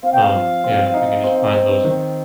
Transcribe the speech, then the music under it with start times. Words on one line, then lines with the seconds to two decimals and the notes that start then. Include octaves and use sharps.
um, yeah, and if we can just find those,
0.03 C4 F5
0.13 G5
0.22 F5
0.34 F3
0.64 C4
0.94 D#4
1.24 C4
1.54 C4
1.84 D#3